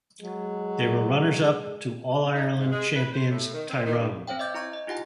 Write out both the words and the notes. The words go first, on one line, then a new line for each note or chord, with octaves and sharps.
They were runners-up to All-Ireland champions Tyrone.
F#3 G#3
D#4
G#2
G#3
B4
C5
A2
D#3
C4
D#3
G2
C4 C5 C#5 F5 G5
D#5 E5 D6 G6 A6
E4 A#5 C#6 G6 G#6
D#5
D#4 F4 G4 F#5 G#5